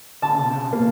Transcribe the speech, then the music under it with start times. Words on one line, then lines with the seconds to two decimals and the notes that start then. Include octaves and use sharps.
Oh, no.
0.22 A5
0.73 A#3